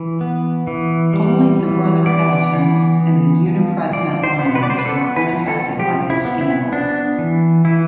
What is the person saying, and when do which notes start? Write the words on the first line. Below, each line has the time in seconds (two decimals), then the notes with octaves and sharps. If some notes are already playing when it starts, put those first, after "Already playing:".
Only the Brother Elephants and the Uni-President Lions were unaffected by this scandal.
Already playing: E3
0.21 B3
0.67 E3
1.13 G3
1.59 E3
2.06 B3 D5
2.53 E3
3.00 B3
3.46 F3
3.92 F3 D5
4.24 C5
4.39 B3
4.55 B4
4.63 D5
4.70 C5
4.79 B4
4.85 B3 A4
5.16 B4
5.33 F3
5.48 A4
5.79 F3 G4
6.10 E4
6.25 B3
6.41 E4
6.72 B3 D4
7.19 E3
7.65 E3 E4